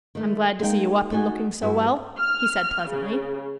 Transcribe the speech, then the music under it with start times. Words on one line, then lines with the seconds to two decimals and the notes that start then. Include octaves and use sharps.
"I'm glad to see you up and looking so well," he said pleasantly.
0.15 D#3 A3
0.60 G#3 A#3 D#4 G5
1.11 A3 D#4 F#4 G#5
1.62 G2 B3 E4 F#4
2.17 F6
2.89 C#3